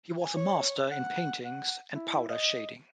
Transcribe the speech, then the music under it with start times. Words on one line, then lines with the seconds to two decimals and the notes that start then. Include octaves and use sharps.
He was a master in paintings and powder shading.
0.21 G#5
0.36 C#5
0.91 F#5
1.45 F#5
1.95 E4
2.29 D#5